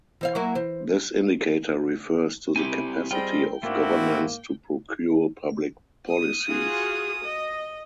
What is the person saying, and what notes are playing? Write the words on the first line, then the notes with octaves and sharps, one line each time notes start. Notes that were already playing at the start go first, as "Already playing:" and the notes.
This indicator refers to the capacity of governments to procure public policies.
E3 C5 F5
F#3 A#3 E4
E3 C5
C4 E4 G4 G#5 D6
G3 C4 F4 G#4 D#5 G5
G#2 A3 A#3 C4 D4 E4 F#4
D#6
F4 F#4 G#4
D#5